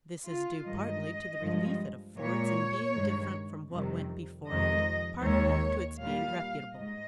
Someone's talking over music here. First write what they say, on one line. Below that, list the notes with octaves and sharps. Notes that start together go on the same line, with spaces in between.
This is due partly to the relief it affords in being different from what went before it, partly to its being reputable.
F4
G2 D#3 G#3 D#5
G2 F3 G#3
A#2 G#3 C#5
G2 D#3 G#3
F2 C3 D#3 G3
F2 C3 D#3 G#3 D#5
D#2 D#3 G#3 C#5
A#2 G3 F5
G#2 D#5